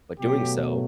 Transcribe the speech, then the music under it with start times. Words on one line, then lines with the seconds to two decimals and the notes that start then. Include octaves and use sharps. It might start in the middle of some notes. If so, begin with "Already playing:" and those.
but doing so,
0.20 B2 F#3 A3 G4